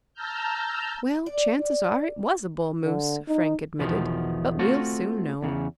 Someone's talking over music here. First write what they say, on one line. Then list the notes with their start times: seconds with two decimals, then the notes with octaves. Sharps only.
"Well, chances are it was a bull moose," Frank admitted; "but we'll soon know."
0.14 A5 A#5 E6 F6 G6
1.26 D5
2.85 D3
3.28 D#4
3.79 E2 B2 D#3 F3
4.59 A3 C4 F4 F#4
5.42 E2 C#3